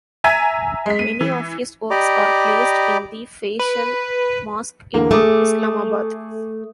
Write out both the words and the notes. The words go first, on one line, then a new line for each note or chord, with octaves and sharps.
Many of his works are placed in the Faisal Mosque in Islamabad.
E5 G#5 A#5 G#6 B6 D#7
G#3 B6
D#7
E3
G4 D5 D#5 A#5 B5 D6
B4
E2 D3 A#3
A3 G#4 D6 D#6